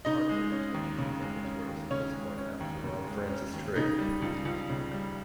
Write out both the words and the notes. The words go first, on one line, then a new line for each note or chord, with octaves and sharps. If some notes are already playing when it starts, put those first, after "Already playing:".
Hartford attendance was at its worst at this point after the Ron Francis trade.
C#3 D#4 D#5
G#3
C#4
D#2
C#3
G#3
C#4
D#2
C#3 C#4 C#5
G#3
C#4
D#2
C#3
G#3
C#4
D#2
C#3 D#4
G3
C#2
C#2
C#3
G3